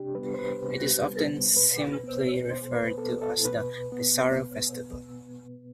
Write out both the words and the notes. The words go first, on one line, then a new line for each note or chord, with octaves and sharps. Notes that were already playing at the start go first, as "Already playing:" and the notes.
It is often simply referred to as the Pesaro Festival.
Already playing: C3 D4 G4
G3 B3 B4
C5
B4
C3
G3 B3
B2 B4
B3
B2 C5
B4
B3 A4
A4
B2 B4
B3